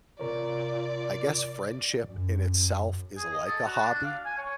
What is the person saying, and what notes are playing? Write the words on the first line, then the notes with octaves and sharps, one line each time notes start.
I guess friendship in itself is like a hobby,
C3 F4 A#4 C#5 D5
F#2
G#4
D#5
A4
F#4
D4
F5
G#5
C#5